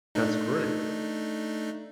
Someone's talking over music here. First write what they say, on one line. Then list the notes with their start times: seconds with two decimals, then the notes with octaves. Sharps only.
That's great.
0.15 A3 D4 D#4